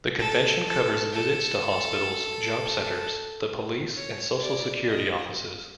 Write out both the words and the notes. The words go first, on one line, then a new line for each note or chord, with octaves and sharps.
The Convention covers visits to hospitals, job centres, the police and social security offices.
A4
A4
A4
C#5
D5
D#5